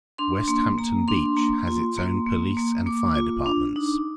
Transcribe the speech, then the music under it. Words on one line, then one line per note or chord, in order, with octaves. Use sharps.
Westhampton Beach has its own police and fire departments.
D4 C6
A#3 C6
A#3 A#5
D4 C6
A#3
F4
A#3
A#3
A#3
A#3 D6
F4
D4
D#4